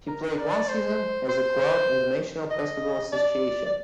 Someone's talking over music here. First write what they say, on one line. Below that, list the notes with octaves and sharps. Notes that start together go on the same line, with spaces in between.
He played one season as a guard in the National Basketball Association.
A#4
D5
C5
C5
D#5
D5
D5